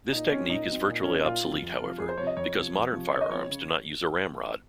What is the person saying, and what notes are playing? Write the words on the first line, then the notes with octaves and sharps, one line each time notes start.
This technique is virtually obsolete, however, because modern firearms do not use a ramrod.
A#2 D#4
F#3 C4 C#4
A#2 D#4
F#3 C4
A#2
F#3 C4 C#4
D#4
A#2 F4
F#3 C4
F2
C3 F3
F2 G#4
C5
C3 F3 C#5
D#5
F2 C#5
C3 F3
F2
C3 F3
C#3 C#5
D#5
F3 C4 C#5
C#3